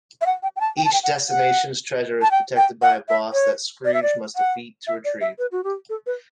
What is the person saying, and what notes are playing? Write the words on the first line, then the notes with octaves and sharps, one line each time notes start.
Each destination's treasure is protected by a boss that Scrooge must defeat to retrieve.
E5
F#5
G5
G5
A5
G5
A5
G5
F#5
F#5
A5
G5
G5
F#5
E5
C#5
D5
E5
D5
F#5
E5
D5
E5
B4
F#4
G4
A4
B4